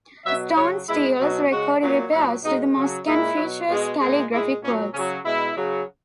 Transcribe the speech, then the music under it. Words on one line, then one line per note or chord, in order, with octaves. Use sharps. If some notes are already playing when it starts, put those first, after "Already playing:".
Stone steles record repairs to the mosque and feature calligraphic works.
B2 F#3 E5
C#3 F#3 C#5
B2 G#3 E4
B2 F#3
C#3 G#3 F#4
A#2 F#3
A#2 F#3 E4
B2 G#3 D#4
C#3 F#3
A#2 G#3 E4
B2 F#3
B2 G#3
A#2 G#3
A#2 G#3 E4
A#2 F#3 C#4
C#3 F#3 C#4
B2 G#3 E4
C#3 F#3